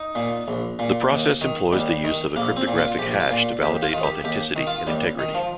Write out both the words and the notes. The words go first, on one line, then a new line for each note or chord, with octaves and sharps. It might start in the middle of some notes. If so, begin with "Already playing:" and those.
The process employs the use of a cryptographic hash to validate authenticity and integrity.
Already playing: D#4
A#2
A#1
A#2
D#2
D#3
D#2 G3
D#3
A#1 A#3
C4
A#2
F4
A#1 G4
F4
A#2
D#2 G4
F4
D#3
G4
D#2 G4
D#3
F4
D#2 G3
D#3
F3